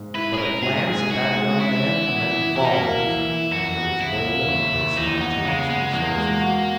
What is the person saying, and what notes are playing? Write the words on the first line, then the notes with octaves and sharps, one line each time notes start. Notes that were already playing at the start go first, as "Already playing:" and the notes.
But a glance at that young man meant volumes and there was no limit to his spontaneous resources.
Already playing: G#2
E4 B4
G#4
C#4 A#4
G#2 G#4
G#2
D#4 F#4
G#3
C#4 E4
E3
B3
E3
B2 E4
D#4
E4
A#3
E3
E3
F#2 F#4
B3
C#2 E4
A#3
D#2
D#2
E3 D#4
B3 D#4
C#3 G#3
G#3 B3
E2 A#3
G#3
F#4